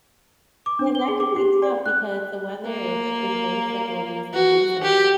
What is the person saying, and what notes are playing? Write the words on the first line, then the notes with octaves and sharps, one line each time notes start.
Yeah, that can be tough, because the weather is is very fickle these days, and it's
D6
D4
G7
G#4
D6
G4
D5
F#6
A#3
F#4
G4